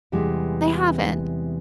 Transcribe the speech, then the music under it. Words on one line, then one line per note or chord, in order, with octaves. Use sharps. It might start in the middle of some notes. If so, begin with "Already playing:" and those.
They haven't.
E2 C3 E3 G3 G#3